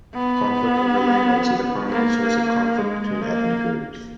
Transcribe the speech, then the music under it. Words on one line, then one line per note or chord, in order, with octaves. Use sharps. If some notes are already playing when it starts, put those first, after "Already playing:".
Conflict over land rights is a prominent source of conflict between ethnic groups.
B3
A#3
G#3
A#3